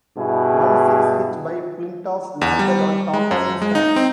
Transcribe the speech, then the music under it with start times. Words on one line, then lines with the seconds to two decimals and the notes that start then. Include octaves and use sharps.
One six hit by Flintoff landed on top of the stands.
0.18 G2 B2 E4 G#4
2.41 E2
2.59 G3
3.14 G#3
3.31 F#2
3.62 G#3
3.75 D#4
3.96 C4